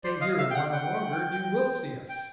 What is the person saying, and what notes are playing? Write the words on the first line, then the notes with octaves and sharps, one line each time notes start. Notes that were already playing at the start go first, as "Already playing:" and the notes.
"Stay here a while longer and you will see us!"
C5 D5
D#5 F5
E5 F5
G5
F5 F#5
F#5 G5
G5
G5
G5
G5
G5